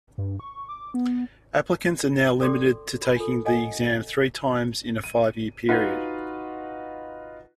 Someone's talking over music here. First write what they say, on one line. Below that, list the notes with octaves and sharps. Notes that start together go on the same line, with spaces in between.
Applicants are now limited to taking the exam three times in a five-year period.
G2
C#6
D6
B3
C#4 A4 D5 C6 D6
A#4 B5
D4 F4 A4
A4 C#5 D#5 F#5 G#5
D#7
D#4 F4 F#4 B4